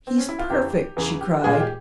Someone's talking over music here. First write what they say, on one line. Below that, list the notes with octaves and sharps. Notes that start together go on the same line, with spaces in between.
'He's perfect!' she cried.
C4
C#4
E4
F4
E2 C#3 E3 G4
E2 C#3 E3 G#4
G4
A#2 G#3 G#4
F4
G4